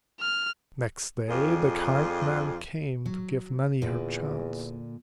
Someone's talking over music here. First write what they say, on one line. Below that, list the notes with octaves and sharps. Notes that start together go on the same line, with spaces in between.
Next day the kind man came to give Nanny her chance.
F6
F2 D4 F4 G#4
F#3
E2 A#2 D3